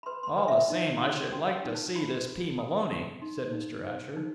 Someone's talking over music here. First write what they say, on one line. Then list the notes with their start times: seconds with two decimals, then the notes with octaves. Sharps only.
"All the same, I should like to see this P. Maloney," said Mr. Asher.
0.03 B5
0.06 B4 C6
0.23 C6
0.27 B5
0.38 B4
0.48 E5
0.70 D#4
1.01 F#4
1.32 F#4 G5
1.54 G5
1.64 D#4
1.75 A5
1.96 F#4 B5
2.28 B4
2.58 A4
2.90 A4
3.21 D#4 C6
3.53 D#4
3.85 C5
4.16 D#4